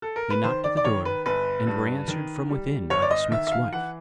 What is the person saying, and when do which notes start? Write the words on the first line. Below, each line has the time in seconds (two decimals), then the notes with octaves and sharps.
They knocked at the door, and were answered from within by the smith's wife.
0.02 A4
0.16 A#4
0.30 B4
0.44 D#3 C5
0.64 D5
0.77 D5
0.84 D#3 C#5
1.05 B4
1.26 G1 B4
1.67 G2
2.08 D#3
2.49 G3
2.90 G1 C#5
3.02 D5
3.11 D#5
3.31 D#3 E5
3.47 E5
3.52 F5
3.73 E3 F#5